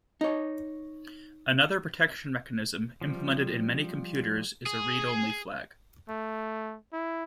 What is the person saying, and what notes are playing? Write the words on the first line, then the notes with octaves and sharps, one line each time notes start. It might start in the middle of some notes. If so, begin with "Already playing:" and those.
Another protection mechanism implemented in many computers is a read-only flag.
D#4 C#5
F3 G3
G#4
A3
E4